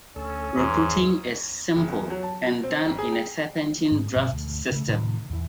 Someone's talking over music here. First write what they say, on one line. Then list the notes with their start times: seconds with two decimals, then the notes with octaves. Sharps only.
Recruiting is simple and done in a serpentine draft system.
0.16 D2 C#4 A4
0.57 E2 G#2 E3
1.76 F#1
1.88 E2
2.10 F#3
2.23 A5
2.46 B2
2.63 C4
2.86 G#1
2.98 G#4
3.13 G5
3.92 G#2
4.16 G1 B2 F3
4.33 D2
4.72 C#3 A3
4.87 A2 C3 D#3 F3
5.30 E2 E3